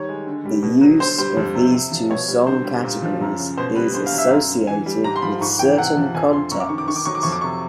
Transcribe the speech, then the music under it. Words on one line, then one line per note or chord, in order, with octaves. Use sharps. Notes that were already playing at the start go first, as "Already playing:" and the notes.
The use of these two song categories is associated with certain contexts.
Already playing: D#3 G3 C#5
G#3
D3
G3
B2
F#3
D3 C5
G3 C5
F2
C3
C3
F3
B2 C#5
G3
D3 C5
G3
A#2
F3
F#2
C#3
B2 C5
G3 B4
D3 C5
F5
F#3
E5
F#2 F5
D3
E3 G#5
G3
G#2 A#5
C6
F3 B5
G#2 C#6
E3 G5
C3 F#5
F3
F2 G#5
D3 C6
F#2 C#6
D6
D#3 C#6
D6
D#3 C#6
D6
F#3 C#6
D6
F2 C#6
D6
C#6
C3